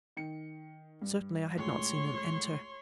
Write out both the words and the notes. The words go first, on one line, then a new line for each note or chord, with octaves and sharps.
Certainly, I had not seen him enter.
D#3 C#7
G2
C#2 A2 C#5 C6